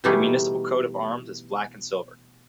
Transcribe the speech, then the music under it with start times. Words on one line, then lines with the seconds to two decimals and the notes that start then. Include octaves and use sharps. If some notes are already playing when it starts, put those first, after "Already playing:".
The municipal coat of arms is black and silver.
0.04 B2 E3 G3 A3 D#4 G#4